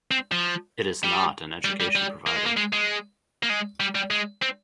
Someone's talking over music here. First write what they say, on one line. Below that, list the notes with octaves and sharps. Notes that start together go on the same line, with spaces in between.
It is not an education provider.
C4
F3
G3
G3
G3
G3
A#3
G#3
A#3
G#3
G#3
A#3
G#3
G3
G3
G#3
C4